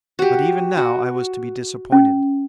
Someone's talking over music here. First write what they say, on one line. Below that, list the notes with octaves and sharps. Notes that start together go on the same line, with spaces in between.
But even now I was to be disappointed.
F#4 G4
F#4
C#4